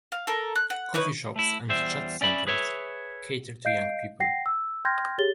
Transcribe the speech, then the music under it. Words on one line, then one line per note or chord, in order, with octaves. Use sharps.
Coffee shops and chat centers cater to young people.
F5
A4 A#4
F#6
F#5
D#4 E4 B4 C#5
A3 E4
E2 G3 C5 E5
C#4 D5 E5 B5
G#4 B4 C#5 E5
D#5 F5 G6 C7 D7
F#5 G5 A#6 C7
E6
G5 C6 F6 G6 G#6 A#6
G4 G#4 C#5 A6 G7